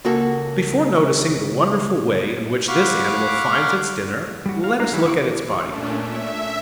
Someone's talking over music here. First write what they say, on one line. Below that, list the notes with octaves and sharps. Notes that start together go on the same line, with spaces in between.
Before noticing the wonderful way in which this animal finds its dinner, let us look at its body.
C#2 A#3 F#4 A4
F5 F#5 B5 C#6 D6 F6
G3 F#4
F5
D4 E4 F5 A#5
D#3 F#3 E4 G4 A4
D#3 E4 F#5 C#6 D6
E3
A#2 A3 C#4 D4
E5